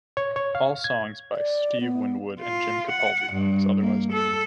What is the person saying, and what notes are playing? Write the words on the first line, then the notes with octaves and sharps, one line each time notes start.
All songs by Steve Winwood and Jim Capaldi unless otherwise noted.
C#5
C#5
F5
G#6
D5
B3
F4
F#5
G2
A#3
A4